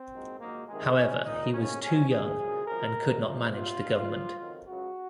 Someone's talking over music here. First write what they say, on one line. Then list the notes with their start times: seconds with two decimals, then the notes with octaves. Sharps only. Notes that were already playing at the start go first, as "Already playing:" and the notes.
However, he was too young and could not manage the government.
Already playing: C4
0.12 A#1 G#2 F#3
0.40 A#1 G#2 D#3 F#3 A#3
0.68 C#2 C3 D#3 G#3
0.97 A#1 G#2 F3 C#4
1.25 A#1 A#2 F3 D#4
1.54 D#2 C#3 F3 C#4
1.82 F2 C3 D#3 C#4
2.11 A#1 A#2 F3 G#4
2.39 F#2 F3
2.68 G#1 F#2 F3 A#4
2.96 D#2 D#3 F#3
3.25 D#2 C#3 F3
3.53 C2 C3 F#3 F4
3.82 F2 D#3 F#3
4.10 F#2 F3
4.39 F2 D#3 F#3
4.67 C#2 C#3 F#3 F#4